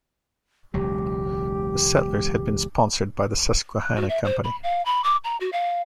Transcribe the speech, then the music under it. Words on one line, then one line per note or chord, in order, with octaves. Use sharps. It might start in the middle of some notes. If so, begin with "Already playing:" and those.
The settlers had been sponsored by the Susquehanna Company.
E1 C#2 F#3 G4
F#6
F#4
E5
C5
B5
F5
B5
D6
A#5
F#4
F5